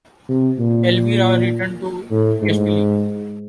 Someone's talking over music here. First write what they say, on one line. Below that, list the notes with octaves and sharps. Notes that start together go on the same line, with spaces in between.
Elvira returned to Castile.
C3
A#2
A2
G#2